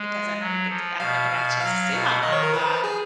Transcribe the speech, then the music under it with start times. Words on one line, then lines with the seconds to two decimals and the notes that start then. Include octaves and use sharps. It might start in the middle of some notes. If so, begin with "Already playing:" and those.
because I never get to I never got a chance to see my mom a lot,
Already playing: G#3
0.39 F#3
0.69 F3
1.00 B2 F5
1.31 B2
1.61 F#3 F5
1.92 B2
2.23 D#3 D#5
2.32 C#5
2.43 A#4
2.53 F3 B4
2.84 G#4